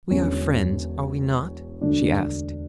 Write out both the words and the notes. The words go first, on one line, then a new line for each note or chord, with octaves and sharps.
"We are friends; are we not?" she asked.
E1 E2 D3 C#4
E1 D2 D3 D4